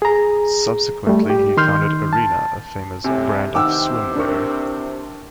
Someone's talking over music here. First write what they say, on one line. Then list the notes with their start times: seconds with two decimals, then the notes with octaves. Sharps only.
Subsequently he founded Arena, a famous brand of swimwear.
0.02 G#4 A#5
1.07 G3 A3
1.30 G4
1.57 D#3 C6 F6 G6
2.13 A5
3.04 C2 A2 C3 G#5
3.55 C3 D#3 E3 C4 F#5 G5 D6 E6
4.15 D4 A#4 C#6